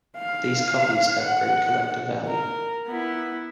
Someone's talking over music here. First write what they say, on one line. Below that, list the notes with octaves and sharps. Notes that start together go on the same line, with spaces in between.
These copies have great collector value.
F5
F#5
A#4
B3 E4